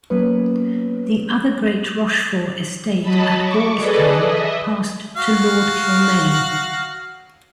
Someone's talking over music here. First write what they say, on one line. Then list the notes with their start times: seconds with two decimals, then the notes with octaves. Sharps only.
The other great Rochfort estate at Gaulstown passed to Lord Kilmaine.
0.10 F#3 A#3 B3 C#4 B4
3.01 F#3 D#5 A5 B5
3.40 C#6 D6
3.76 G#4 A4 B4 D5 D#5
4.19 D#5 E5
5.16 F#4 F5